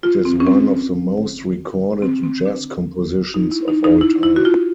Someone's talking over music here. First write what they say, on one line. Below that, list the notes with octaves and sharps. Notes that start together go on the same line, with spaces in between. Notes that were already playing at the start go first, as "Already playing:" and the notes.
It is one of the most recorded jazz compositions of all time.
F4
C4
C#4
C4
C4
C4
D4
D#4
E4
D#4
D#4
E4
E4
F#4
F4